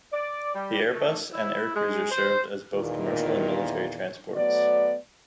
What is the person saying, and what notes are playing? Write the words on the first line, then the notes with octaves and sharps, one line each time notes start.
The Airbus and Aircruiser served as both commercial and military transports.
D5
G3
A3
E4
G#3
C5
E2 A#2 D#3
F#3 A3 B3 D5